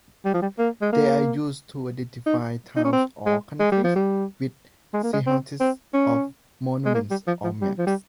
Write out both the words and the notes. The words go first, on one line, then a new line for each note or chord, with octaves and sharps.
They are used to identify towns or countries with silhouettes of monuments or maps.
G3
F3
G3
A#3
G#3
A#3
D#4
D#4
C#4
C4
G#3
G#3
G3
F3
G3
G#3
A#3
G#3
C4
C4
C#4
G#3
A#3
G3
F3
F3
G3
F3
G3